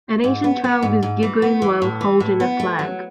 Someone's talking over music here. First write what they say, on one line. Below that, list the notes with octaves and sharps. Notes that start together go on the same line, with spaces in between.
An Asian child is giggling while holding a flag.
G#2
B3
B3
G#2
G#2
E3
B3
E3
A2
E3
A2
B3
A3
F#3